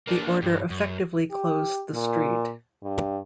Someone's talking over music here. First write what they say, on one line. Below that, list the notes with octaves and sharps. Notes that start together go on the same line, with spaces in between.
The order effectively closed the street.
A#3 D4
G2
F#2
G4
A#2
G2